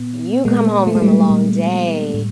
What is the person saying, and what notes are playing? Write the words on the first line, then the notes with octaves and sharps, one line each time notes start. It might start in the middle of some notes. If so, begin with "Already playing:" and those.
you come home from a long day
Already playing: A#2 B3
A#2 G#3 A#3
A3
G#3
G3 A3
A#2
A2